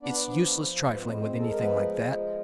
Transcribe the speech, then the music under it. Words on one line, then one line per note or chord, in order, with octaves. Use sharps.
It's useless trifling with anything like that.
B3 D4 D5
F3
F3
G#2 C5
B4
C4 C5
G#3
C4 C5
G#3
A4
A#4
F3 B3 B4
G#3
F3